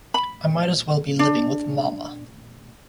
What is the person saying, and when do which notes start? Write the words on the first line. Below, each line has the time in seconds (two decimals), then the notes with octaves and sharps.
I might as well be living with mama.
0.14 B5
1.19 D4